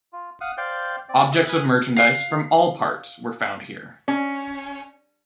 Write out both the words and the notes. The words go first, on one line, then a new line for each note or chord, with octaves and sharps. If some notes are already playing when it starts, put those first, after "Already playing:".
Objects of merchandise from all parts were found here.
F4
F5 F#5 D#6
C5 D5 F5 G5
C4 D5
D#5 E5
B4 G#5 B5 D#6 F6 F#6
F5 F#6
C#4